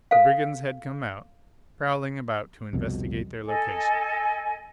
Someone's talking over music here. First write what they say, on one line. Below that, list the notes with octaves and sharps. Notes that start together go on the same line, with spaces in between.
The brigands had come out, prowling about to investigate their location.
A4 F5
C2 F2 B2
A4 D#5 G#5